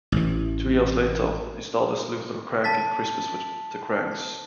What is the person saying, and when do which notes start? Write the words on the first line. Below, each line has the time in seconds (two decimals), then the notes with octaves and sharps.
Two years later, he starred as Luther Krank in "Christmas with the Kranks".
0.12 A1 E3
2.64 A5 A6 B6